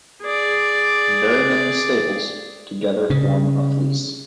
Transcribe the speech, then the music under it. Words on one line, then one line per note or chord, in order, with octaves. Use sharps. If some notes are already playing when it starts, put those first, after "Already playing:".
Very many staples together form a fleece.
G#4 D5
C#3